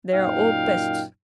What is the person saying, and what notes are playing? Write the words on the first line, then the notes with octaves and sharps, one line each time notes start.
They are all pests.
F#2 A#2 D#4 F5 G5